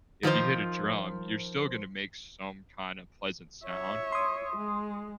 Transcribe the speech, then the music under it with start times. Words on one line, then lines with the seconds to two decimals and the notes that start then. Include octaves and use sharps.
if you hit a drum, you're still gonna make some kind of pleasant sound,
0.23 D#3 F3 F4 C5
3.65 C#5 E5
4.12 C6 D#6
4.56 G#3